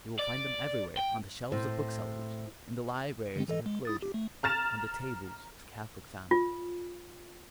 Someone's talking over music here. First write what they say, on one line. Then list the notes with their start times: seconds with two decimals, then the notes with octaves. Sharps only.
You will find them everywhere on the shelves of booksellers, in the libraries of her clergy, on the tables of Catholic families.
0.19 D5
0.98 G5
1.52 A2 C5
3.36 D3 G#3 C4
3.48 E3 A4 D#5
3.66 G#3
3.85 E4 D#6 A6
4.02 G4
4.14 A3
4.43 A#5 F6 A6 E7
6.31 F4